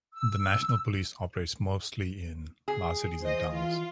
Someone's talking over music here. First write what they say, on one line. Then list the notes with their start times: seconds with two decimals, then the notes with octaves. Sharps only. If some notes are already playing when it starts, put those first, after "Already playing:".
The National Police operates mostly in large cities and towns.
0.14 E6
2.68 G#4
3.22 E3 C5 D#5
3.53 F4